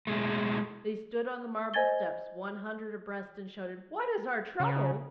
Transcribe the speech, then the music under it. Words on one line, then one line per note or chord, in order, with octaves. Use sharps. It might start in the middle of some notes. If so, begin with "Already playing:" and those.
They stood on the marble steps one hundred abreast and shouted, 'What is our trouble?
B2 G#3 A3
C5 D#5 G#5 G#6 A6 G7
C#3